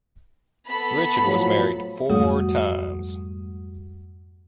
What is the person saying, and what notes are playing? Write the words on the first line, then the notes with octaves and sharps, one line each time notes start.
Richard was married four times.
B3 A4 B5
A2 F3 F#3
F2 G#2 G3 A3 F#4 D#6